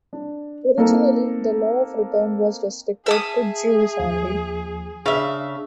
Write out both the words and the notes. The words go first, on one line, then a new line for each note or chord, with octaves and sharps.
Originally, the Law of Return was restricted to Jews only.
D4
A#3 C4 D#4 A4 A#4
G#4 E5 A5 D#6
D#2 F3
C#3 D4 E5 F5